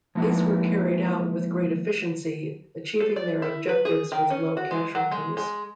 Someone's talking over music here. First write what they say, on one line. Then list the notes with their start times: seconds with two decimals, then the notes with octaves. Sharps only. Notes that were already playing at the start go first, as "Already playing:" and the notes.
These were carried out with great efficiency, achieving their objectives with low casualties.
0.15 F3 G#3 A#3 D#4 E4 B4
3.00 A4
3.16 D5
3.42 E4
3.69 B4
3.85 G#4
4.12 D#3
4.30 C#4
4.57 F#4
4.71 G#3
4.95 F#3
5.11 G#3
5.37 G#3